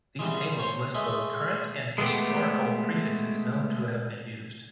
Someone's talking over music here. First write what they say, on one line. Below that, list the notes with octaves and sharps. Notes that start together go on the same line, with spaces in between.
These tables list both current and historical prefixes known to have been used.
C2 G3 G#3
C5 C#5
G#3 A3 D#5 B5
G#3 A3 B3 G4